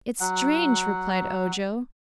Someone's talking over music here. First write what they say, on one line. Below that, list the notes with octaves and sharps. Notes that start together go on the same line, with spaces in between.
"It's strange," replied Ojo.
F#3 F#5